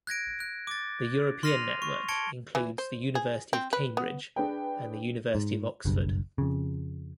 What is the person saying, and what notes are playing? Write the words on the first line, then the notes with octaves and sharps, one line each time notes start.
The European network includes the University of Cambridge and the University of Oxford.
F#6 G#6 A#6 D7
F#6
D6 A6
C6 F6 A#6 C7 D#7 F7
C#6
A5 C#6 G#6 C#7 D7 G7
E3
C5
G#4
C4
B4
B3
D4 G#4 B4 G5
G#2
F#1 B1 G2
F2 C#3